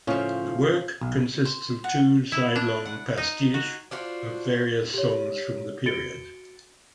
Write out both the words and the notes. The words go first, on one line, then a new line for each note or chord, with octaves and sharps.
The work consists of two side-long pastiches of various songs from the period.
A2 C#3 F3 C#4 F4
B1
C5
F#5
E4
D4
F#5
D#4
F#4
D4 F4 F#4 C5
G4 C#5
F#4 A6 C#7 D7 G7